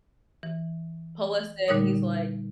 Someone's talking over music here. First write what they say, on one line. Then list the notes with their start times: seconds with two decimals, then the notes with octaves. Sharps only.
pull us in. He's like
0.43 E3
1.68 A#2 D3 G3 D#4 A#4 D#6